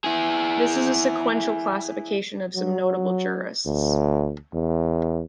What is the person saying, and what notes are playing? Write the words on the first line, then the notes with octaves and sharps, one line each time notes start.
This is a sequential classification of some notable jurists.
E4 G#4
F#3
D2
E2